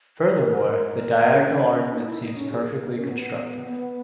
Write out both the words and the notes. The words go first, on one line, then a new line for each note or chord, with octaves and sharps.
Furthermore, the diagonal argument seems perfectly constructive.
A#4
A#4
A#4
C#4
D#4
E4
D#4
C#4
G#4
A#4
C#4
B3
B3